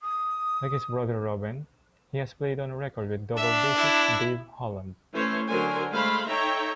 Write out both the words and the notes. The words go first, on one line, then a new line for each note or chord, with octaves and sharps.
Like his brother Robin, he has played on record with double bassist Dave Holland.
D#6
D4 E5
E4
E3 A3 C#4 C5 C#5
D3 F#3 A#4 C5 G#5
G#3 A3 C5 F5 B5
D#4 A4 C#5 E5 G5 A#5